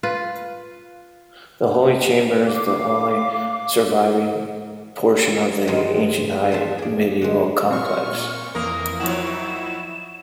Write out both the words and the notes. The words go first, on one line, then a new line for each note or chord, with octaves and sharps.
The Holy Chamber is the only surviving portion of the ancient high-medieval complex.
F4 B4
F5 D6
G2 D#3 G#3 B3 F4
E2 C5 E5 A5
G#4 D5
D3 G#3
A#2 C4 C#6 F6
F2 E3 A#3 A#4 D#6
D#3 F3 F#3 E4 F#5 E7